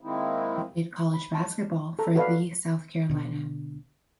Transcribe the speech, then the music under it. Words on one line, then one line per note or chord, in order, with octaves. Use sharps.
He played college basketball for the South Carolina.
D#3 G#3 A#3 C4 D#4 E4
B5
D#4 A5
A4 A#5
F#4 A4 B4 D5 F5
B2 D3